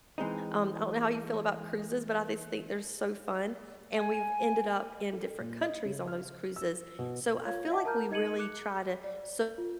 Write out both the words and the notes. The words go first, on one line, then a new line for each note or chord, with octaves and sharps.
um, I don't know how you feel about cruises, but I just think they're so fun, and we've ended up in different countries on those cruises, so I feel like we really try to soak
E3 G#3 C4 D#4
G#5
A4
A#2
D#5
C#3
F6
E6
B2
F4 C#5 F5 G#6
D#5 E5 F#5 A5 D6
A#4 A5 A#5 F6 G6
D#4 D#5 G#6 C#7 D#7 F#7
D6 F#6 C#7
D5
F4